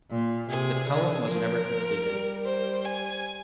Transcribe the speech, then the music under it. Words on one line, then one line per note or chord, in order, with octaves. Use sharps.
The poem was never completed.
A#2
C3 G#4
D3 G#4
F3 A#4
F3
G3
C5
G#5